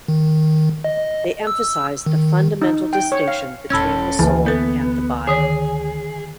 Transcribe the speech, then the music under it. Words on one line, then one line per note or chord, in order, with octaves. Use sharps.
They emphasized the fundamental distinction between the soul and the body.
D#3
D#5
E6
D#3
D#4
G5
C#5
F5
E1 C#4 E4 A4 B5 E6 G#6
D2 E3 A3 A#3
B3 A4 B4
D3 D#3 G#4 C#5